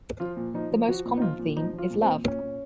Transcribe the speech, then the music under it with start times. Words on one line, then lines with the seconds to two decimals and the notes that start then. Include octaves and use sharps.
The most common theme is love.
0.20 F3 F4
0.37 A#2
0.54 F3 D#4
0.71 F3
0.88 F3 F#4
1.05 A#2
1.17 D#4
1.22 F3 F4
1.39 A#2
1.56 F3 D#4
1.73 F3
1.78 F4
1.90 A#2
2.02 C4
2.08 A#2
2.24 A#2 C#4
2.41 A#2